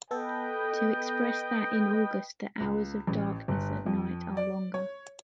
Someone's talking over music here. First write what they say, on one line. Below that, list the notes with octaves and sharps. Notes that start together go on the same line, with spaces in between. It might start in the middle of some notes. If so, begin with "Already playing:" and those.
To express that in August the hours of darkness at night are longer.
B3 A4 B4 D#5 G5
C#2
A1
G1
F2
D5
C#5